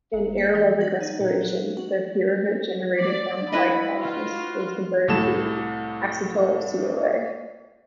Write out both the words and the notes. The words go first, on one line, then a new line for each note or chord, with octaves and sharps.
In aerobic respiration, the pyruvate generated from glycolysis is converted to acetyl-CoA.
G1
A#3
E3
F#4
D#4
A#2
F#3
F#4
D5
E4 B4 D#5 B5
F4 F#4
C2 A2 A4 E7